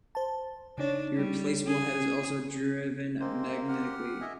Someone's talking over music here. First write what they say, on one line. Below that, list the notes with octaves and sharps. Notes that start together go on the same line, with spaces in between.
The replaceable head is also driven magnetically.
C5 A5
C#3 D4 D#4 C#5
G3
C#4 G#4
G#3 A#3 C4 C5
G4 F#5 F6
D#5 E5 G#5